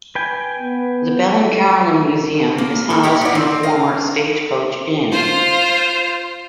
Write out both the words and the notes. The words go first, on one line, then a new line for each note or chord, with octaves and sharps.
The Bell and Carillon Museum is housed in a former stagecoach inn.
B4 G5 G#5
B3
A4
A#3
A4
D#4 E4 G4 A#4
F#4 D5
C4
D#5 F5
F4 C5